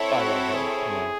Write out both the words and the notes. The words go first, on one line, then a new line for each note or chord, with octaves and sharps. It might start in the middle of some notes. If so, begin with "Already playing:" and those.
I love that, yeah.
Already playing: C4 E4 A4 C#5 E5
F#4
G#4